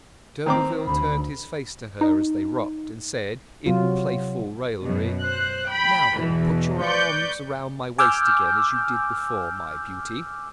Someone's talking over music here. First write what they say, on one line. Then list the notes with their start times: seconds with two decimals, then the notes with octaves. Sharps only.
D'Urberville turned his face to her as they rocked, and said, in playful raillery: "Now then, put your arms round my waist again, as you did before, my Beauty."
0.46 D#3 C4 A#5 D6
0.87 D2 B5
2.01 D#4
3.66 C3 F#3 F4
4.83 F#2 B2
5.21 C5 F#6
5.68 G5 B5
6.18 E2 B2 E3
6.80 B4 D5 C#6 G6
7.98 G#5 D6 E6 F6 G6